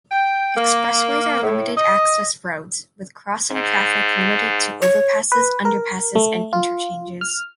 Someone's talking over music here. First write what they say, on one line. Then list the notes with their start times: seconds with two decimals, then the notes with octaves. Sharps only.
Expressways are limited-access roads, with crossing traffic limited to overpasses, underpasses, and interchanges.
0.11 G5
0.57 A#3
1.42 A2
1.77 D#5
3.51 G#2
4.82 C#5
5.32 B4
5.65 A#4
6.15 A3
6.53 F4
7.21 F6